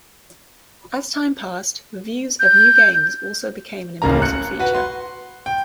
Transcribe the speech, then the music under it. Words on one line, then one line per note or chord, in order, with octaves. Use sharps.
As time passed, reviews of new games also became an important feature.
G6
D1 A1 C#3 A#3 A#5
F#6 C#7
F#4 B4
C6
G5